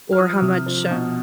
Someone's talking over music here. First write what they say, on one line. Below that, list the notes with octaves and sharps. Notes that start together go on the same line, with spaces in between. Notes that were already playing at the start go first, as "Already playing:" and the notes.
or how much,
F6
F3 D#6
C3
F3
B2